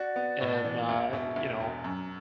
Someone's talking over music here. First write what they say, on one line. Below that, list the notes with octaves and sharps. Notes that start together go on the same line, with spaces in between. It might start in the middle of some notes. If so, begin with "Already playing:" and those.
And, uh, you know,
Already playing: F#4 D5
B3
A2
E3
E1 E5
B2
E1
E2
F#2